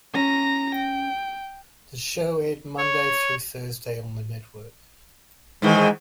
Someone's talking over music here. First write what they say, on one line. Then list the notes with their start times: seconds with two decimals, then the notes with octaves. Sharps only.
The show aired Monday through Thursday on the network.
0.15 C#4 A#5 A#6
0.75 G5
2.78 C#5
5.62 G#2 D#3 E3 G#3